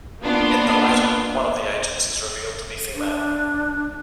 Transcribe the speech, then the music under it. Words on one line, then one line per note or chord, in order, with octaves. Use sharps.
In the latter, one of the agents is revealed to be female.
A#3 B3 D4 F4
D4